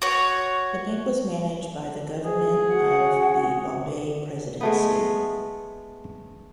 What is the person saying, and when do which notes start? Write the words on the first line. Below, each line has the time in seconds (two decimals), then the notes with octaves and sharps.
The bank was managed by the government of the Bombay Presidency.
0.02 F#4 C#5
2.25 G#4
2.67 F#4 F#5
4.61 G#3 A3 B3